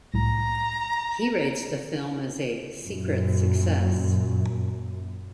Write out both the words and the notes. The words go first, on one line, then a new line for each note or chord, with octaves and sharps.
He rates the film as a "secret success".
C2 A2 A#5
F#2 A#2